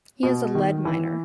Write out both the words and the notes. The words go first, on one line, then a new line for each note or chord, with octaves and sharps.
He is a lead miner.
B2
D#3
E3